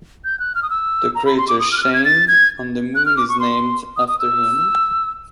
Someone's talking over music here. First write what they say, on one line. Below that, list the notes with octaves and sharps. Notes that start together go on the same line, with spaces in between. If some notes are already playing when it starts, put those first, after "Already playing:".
The crater "Shayn" on the Moon is named after him.
G6
F#6
F6
D#6
E6
A#5
B5
C6
D6
D#6
F6
F#6
F6
G#6
A6
G#6
F#6
F6
D6
C#6
C6
D#6
D#6
E6